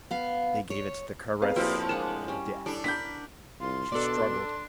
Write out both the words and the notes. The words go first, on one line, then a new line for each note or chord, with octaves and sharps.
They gave it the caress of death. She struggled.
B3 F5
C#5
B3 C4 G#4 B4 F5
A2 F3 A#3 C4 E4 F#4 C5
G#3 D4 A#4 F5 F#5 E7
G3 C#4
G3 D4 E4 A4
D4 A#4 F#5 B5 G6 B6
C2 F4 C6
B2 D4 A4 D5